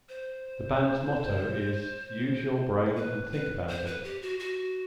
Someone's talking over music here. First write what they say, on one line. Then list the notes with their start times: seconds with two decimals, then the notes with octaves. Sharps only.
The band's motto is "Use your brain and think about it!".
0.09 C5
2.96 B4
3.32 B4
3.68 C5
3.86 B4
4.04 G4
4.22 F#4
4.40 F#4